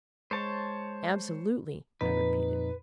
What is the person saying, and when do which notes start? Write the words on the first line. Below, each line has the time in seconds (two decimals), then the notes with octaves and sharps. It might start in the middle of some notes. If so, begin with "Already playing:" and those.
"Absolutely!" I repeated.
0.31 G#3 C5 C#5 A5
2.01 F2 A#2 D#4 B4